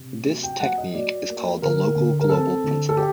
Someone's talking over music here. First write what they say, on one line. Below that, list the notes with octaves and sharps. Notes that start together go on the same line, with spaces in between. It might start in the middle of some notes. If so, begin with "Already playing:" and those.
This technique is called the local-global principle.
Already playing: C3
F#3
G5
F#3 F#5
D#5
F#3 D5
A#3
D3 A#4
D3
A#4
C4 A4
D3
A4
G4